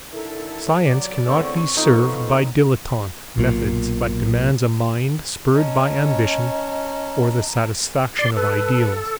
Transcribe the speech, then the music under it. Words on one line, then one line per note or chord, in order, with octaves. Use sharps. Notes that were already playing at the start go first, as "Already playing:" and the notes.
Science cannot be served by 'dilettante' methods, but demands a mind spurred by ambition or the satisfaction of ideals.
D3 D#3 E4 A4 A#4
F#3 D5 D6
E2 A2 D3 C4 C#5 C#6
F3 B3 D#4 F4 A4 A#5
B1 A#2
C#4 D#5 A5 A#5
D5 C6
A4 B4